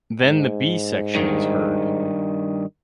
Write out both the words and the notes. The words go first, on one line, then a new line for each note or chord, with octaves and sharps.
Then the B section is heard.
G#2
G2 D#3